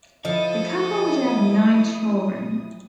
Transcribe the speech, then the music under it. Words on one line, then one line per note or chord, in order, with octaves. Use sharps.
The couple would have nine children.
F3 E4 A4 D#5 D#6